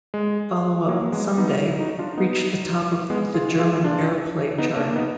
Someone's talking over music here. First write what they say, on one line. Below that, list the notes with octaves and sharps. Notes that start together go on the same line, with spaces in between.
Follow-up "Someday" reached the top of the German Airplay Chart.
G#3
F#3 A#3
G#3 B3
B3 D#4
D#4 F#4
D4 F4
B3 D#4
G#3 B3
F4 G#4
F4 G#4
D4 F4
B3 D#4
A#3 D4
B3 D#4